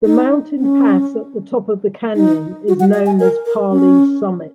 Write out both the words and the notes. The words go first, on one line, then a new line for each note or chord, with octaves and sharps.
The mountain pass at the top of the canyon is known as Parley's Summit.
D#4
C#4
D#4
F#4
F#5
D#5
G#5
A#4
A#4
C#4